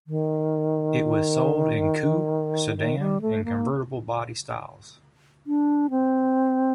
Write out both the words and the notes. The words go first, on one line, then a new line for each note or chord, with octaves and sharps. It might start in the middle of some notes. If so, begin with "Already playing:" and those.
It was sold in coupe, sedan and convertible body styles.
D#3
D#3
G3
A3
A#3
D4
C4